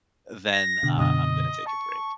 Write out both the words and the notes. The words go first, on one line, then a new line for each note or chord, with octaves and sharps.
uh, then, uh, I'm gonna take a break.
A#6
B2 D3
F#2 B2 D3 D#5
A5 C#6